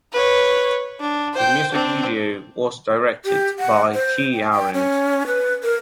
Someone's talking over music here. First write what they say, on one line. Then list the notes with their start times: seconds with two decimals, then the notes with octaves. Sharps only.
The music video was directed by Kii Arens.
0.13 B4 C#5
1.00 D4
1.33 C5 G5
1.72 C4 D4
3.25 G4
3.59 F#5
3.95 C5
4.33 G5
4.52 G5
4.74 C#4
5.27 B4
5.63 A#4